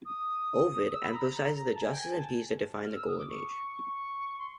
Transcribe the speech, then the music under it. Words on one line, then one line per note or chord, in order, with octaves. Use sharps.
Ovid emphasizes the justice and peace that defined the Golden Age.
D#6
D#6
E6
B5
A#5
A#5
A5
G#5
G5
G#5
A5
F6
E6
D#6
D6
C#6
C#6
C6